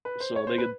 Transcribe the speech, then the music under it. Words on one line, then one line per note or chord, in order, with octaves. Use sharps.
So they could
B4
C5
C#5
C5
B4